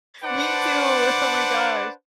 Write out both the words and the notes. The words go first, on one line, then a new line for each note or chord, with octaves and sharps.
Me too, oh my gosh.
D4 B4 C5 F#5 A5 D6